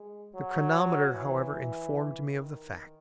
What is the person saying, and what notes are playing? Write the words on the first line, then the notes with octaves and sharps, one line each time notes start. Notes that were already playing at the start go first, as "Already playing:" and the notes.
The chronometer, however, informed me of the fact.
Already playing: G#3
F#3
E3
D#3